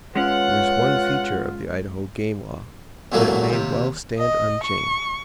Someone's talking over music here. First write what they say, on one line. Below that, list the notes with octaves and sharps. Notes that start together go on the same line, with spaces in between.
There is one feature of the Idaho game law that may well stand unchanged.
G#3 C#4 F4 B4 C#5 F#5
E2 G#2 F#3 A3 A#3
D#2 C3
D#5
C#6